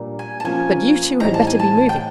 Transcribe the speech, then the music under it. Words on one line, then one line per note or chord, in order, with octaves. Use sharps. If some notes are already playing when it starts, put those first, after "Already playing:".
But you two had better be moving.
Already playing: A#2 G3 A#3 D4
G#5
A5
F3 A#3 C#4 F4 G#5
A2 E3 G3 C4 D#4 A#5
A5
G#5
A5
G5